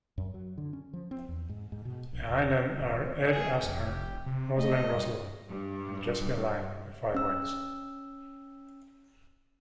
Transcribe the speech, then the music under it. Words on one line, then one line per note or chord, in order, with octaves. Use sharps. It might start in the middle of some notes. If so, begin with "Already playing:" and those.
Behind them are Ed Asner, Rosalind Russell and Jessica Lange with five wins.
F#2
F#3
D3
C#4
F3
C4
E2
G#2
G#2
B2
A#1
E1
G#1
G#4
F1 G4
C3
A3 D#5
G2
G2
C#4 E6